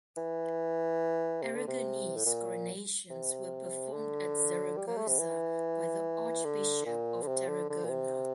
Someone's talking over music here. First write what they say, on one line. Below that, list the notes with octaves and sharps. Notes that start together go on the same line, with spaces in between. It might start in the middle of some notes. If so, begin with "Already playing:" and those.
Aragonese coronations were performed at Zaragoza by the Archbishop of Tarragona.
E3
C3
D3
C3
A2
A#2
C3
D3
G3
A#3
A3
C3
E3
D3
A#2
D3
C3
D3
D3
A#2
C3